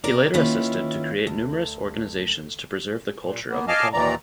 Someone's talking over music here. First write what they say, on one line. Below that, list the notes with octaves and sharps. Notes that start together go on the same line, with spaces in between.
He later assisted to create numerous organizations to preserve the culture of Nepal.
C3 A#4 D5
D#3 A#3 C#4 E4 F4 B4
D2
A#2
A#3 B3
D#5 F5 G#5 A5 D6 F6
D#2 A#2 D#3 E3 D5 A#5